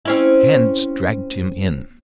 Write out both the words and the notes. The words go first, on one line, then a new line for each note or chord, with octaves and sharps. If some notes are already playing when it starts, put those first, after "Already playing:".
Hands dragged him in.
C4 C#4 E4